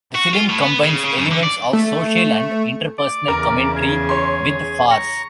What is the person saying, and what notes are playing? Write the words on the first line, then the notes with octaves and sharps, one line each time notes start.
The film combines elements of social and interpersonal commentary with farce.
F#4
F4
A2
B3
C#3
C#3
F#2
D3
D5
A3
D5
E2 C#3 A#4
G#4
C#5 C6
A#5 C#6